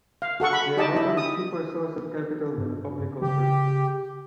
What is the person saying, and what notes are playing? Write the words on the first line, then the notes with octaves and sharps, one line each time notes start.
They are often a cheaper source of capital than a public offering.
F5
F#4 A4 F#5 C#6
B5
D#4 G4 D#5 A5
E4
D#6
G2
C#3 G4